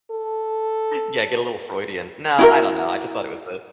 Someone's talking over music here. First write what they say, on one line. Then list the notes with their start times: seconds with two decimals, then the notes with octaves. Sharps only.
Yeah. Get a little Freudian. No. I don't know. I just thought it was the
0.11 A4
2.39 E4 F#4 A#4